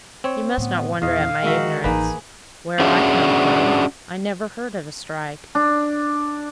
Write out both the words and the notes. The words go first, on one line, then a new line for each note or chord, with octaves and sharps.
You must not wonder at my ignorance; where I come from I never heard of a strike.'
C4 C#5
A2 D3 B3
E2 A#2 D#5 F5
D#3 G#3 F#4 E5
A1 E3 A#3 D#4 G#4 B4
C#4 D4 F#4 G#4 E5
D4